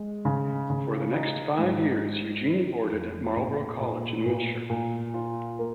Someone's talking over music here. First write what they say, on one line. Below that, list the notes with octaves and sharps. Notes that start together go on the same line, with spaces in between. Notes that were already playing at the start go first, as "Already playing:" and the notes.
For the next five years, Eugenie boarded at Marlborough College in Wiltshire.
Already playing: G#3
C#3
C#3
D#4
G#2
D#3
D#3
F2
A#1
A#2
A#2
A#2
F4
A#3